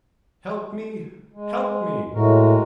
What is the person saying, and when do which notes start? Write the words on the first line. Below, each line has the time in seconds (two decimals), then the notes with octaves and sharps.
Help me! help me!'
1.33 G#3
2.14 A2 G#3 F#4 A#4